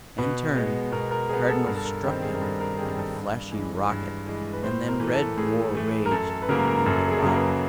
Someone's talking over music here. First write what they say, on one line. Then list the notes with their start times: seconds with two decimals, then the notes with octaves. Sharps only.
In turn the Cardinal struck him like a flashing rocket, and then red war waged in Rainbow Bottom.
0.18 B2 B4
0.55 G#3 B3
0.92 B2 A#4
1.11 A#4
1.29 G#3 B3 G#4
1.48 A4
1.66 G2 A#4
1.76 A4
1.85 A#4
2.04 D#3 G3 C4
2.22 G#4
2.34 A#4
2.41 G2 A4
2.60 A#4
2.78 D#3 G3 C4 G#4
2.97 A4
3.15 G2
3.52 E3 G#3
3.89 G2
4.26 E3 G#3
4.53 B4
4.63 A2 C5
4.88 A#4
5.00 E3 A3
5.13 A4
5.37 A2 G#4
5.75 E3 A3
6.06 A#4
6.11 F#2 A4
6.30 A4
6.42 B4
6.49 C#3 F#3 A#3 A#4
6.68 A#4
6.86 F#2 A4
7.11 G#4
7.18 A4
7.22 C#3 F#3 A#3 G#4
7.35 B4